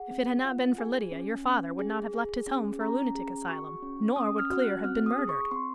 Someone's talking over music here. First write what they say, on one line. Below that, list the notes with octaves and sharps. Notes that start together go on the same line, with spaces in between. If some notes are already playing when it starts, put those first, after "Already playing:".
"If it had not been for Lydia, your father would not have left his home for a lunatic asylum, nor would Clear have been murdered."
Already playing: G#4 F#5
C4
F4
G#4 G#5
C#4
C#4
G#4
G#4
C#4
C#4 A#5
G#4
F#4 C#6
C#4
C#4 D#6
F6
F#4
F#6
C4 F6
D#6
G#4
C#6
C4 C6